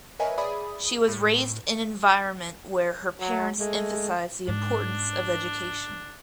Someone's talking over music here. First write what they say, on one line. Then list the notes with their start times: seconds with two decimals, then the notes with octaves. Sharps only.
She was raised an environment where her parents emphasized the importance of education.
0.20 A#4 B4 C#5 D#5 E5 G#5
0.38 G#4 D5 E5 B5 D#6
1.08 A2
3.20 F#3
3.59 G#3 A3
4.48 G#2 D4